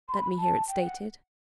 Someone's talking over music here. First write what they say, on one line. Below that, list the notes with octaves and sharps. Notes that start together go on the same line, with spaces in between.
Let me hear it stated.
C6
B5
A5
G5
F#5